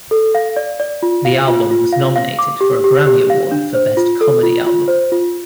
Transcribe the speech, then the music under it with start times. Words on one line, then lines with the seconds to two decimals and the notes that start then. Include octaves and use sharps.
The album was nominated for a Grammy Award for Best Comedy Album.
0.11 A4
0.35 F5
0.56 D5
0.80 D5
1.03 F4
1.25 F5
1.48 F4
1.71 F4
1.92 F5
2.16 F5
2.39 D6
2.61 G4
2.84 G4
3.07 G4
3.30 F5
3.51 D4
3.75 C5
3.97 F4
4.21 A4
4.43 F4
4.66 F4
4.88 C5
5.12 F4